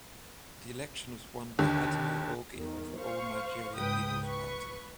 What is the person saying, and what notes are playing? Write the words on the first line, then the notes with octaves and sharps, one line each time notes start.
The election was won by Adamu Augie of the All Nigeria Peoples Party.
D#2 D3
E2 D#3
C5 F5 C#6
C#2 G#2 B4 G5 D#6
B4 C#6